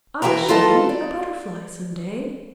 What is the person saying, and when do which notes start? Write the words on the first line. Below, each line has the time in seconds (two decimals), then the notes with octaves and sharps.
"I shall be a Butterfly some day!"
0.22 E3 F#4 E5 G5 A#5
0.48 E3 F4 A4 D#5 A5
0.89 D5